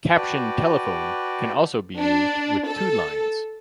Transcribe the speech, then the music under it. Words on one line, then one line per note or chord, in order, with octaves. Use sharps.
Captioned telephone can also be used with two lines.
F#4 B4 D5 G5 A5
D4
A4